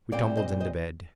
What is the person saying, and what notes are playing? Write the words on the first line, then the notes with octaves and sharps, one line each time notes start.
We tumbled into bed.
A#2 G3 C4 D5 F5
C5 D#5
C5 D#5